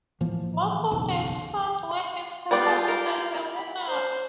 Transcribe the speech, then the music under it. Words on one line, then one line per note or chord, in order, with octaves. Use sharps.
Most of the hard work is performed by the women.
A2 E3 F3 A#3
F#1 B1 E2
G3 B3 F4 G4 D5
A#4
B5
C5